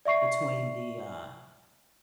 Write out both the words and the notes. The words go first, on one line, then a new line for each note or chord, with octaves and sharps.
between the, uh,
D5 E5 C#6 C7